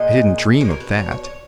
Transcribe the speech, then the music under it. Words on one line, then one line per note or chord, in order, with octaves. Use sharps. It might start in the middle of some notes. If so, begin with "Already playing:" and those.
I didn't dream of that.
Already playing: A#2 G#3 D#5
B2 G#3 C#5
A#4
B4
C#5
C#5
C#5